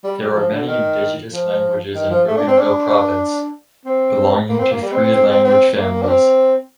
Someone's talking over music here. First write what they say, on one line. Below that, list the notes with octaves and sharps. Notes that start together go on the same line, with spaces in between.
There are many indigenous languages in Bougainville Province, belonging to three language families.
G3
G3
F3
D3
D#3
F3
D#3
F3
A3
D4
C4
D4
C4
A#3
C4
A#3
G3
C4
C4
C4
C4
C4
A#3
D4
C4